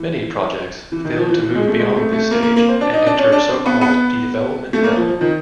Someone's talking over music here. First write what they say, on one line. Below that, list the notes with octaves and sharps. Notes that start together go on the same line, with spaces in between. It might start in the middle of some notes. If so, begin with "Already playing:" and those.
Many projects fail to move beyond this stage and enter so-called development hell.
Already playing: E3
E3
D#3
F3
E3
E3
G#3
A3
G#3
A3
A3
A#3
A#3
A#3
C4
D4
D#4
D4
C#4
D4
C4
B3
B3
A3
A#3
F3
F3
D#3